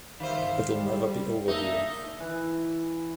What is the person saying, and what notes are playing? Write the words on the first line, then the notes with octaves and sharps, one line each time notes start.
It'll never be over here.
D#3 C5 D5 E5 F5
G3
A#3 D4 D#4 E5
E3